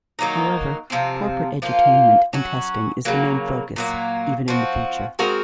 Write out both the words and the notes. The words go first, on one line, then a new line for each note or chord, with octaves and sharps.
However, corporate edutainment and testing is the main focus even in the future.
D#3 F#3 A#3 D#4
C3 F3 C4
F3 A#3 F4
F#3 C#4 F#4
C#3 F#3 A#3
A#2 F#3 A#3
F3 C4 F#4
G#3 C4 F#4 A#4